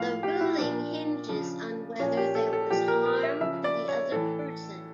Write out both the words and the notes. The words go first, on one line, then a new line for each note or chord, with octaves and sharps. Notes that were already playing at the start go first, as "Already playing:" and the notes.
The ruling hinges on whether there was harm to the other person.
Already playing: A2 F3 F5
G4
E4
A#2 F3 D4
C#3 F3
A#2 F3 C#4
G4
A4
A4
A#2 F3 G4
A#4
A#4
E5
C#3 F3 E5
D5
C#5
A2 E3 A4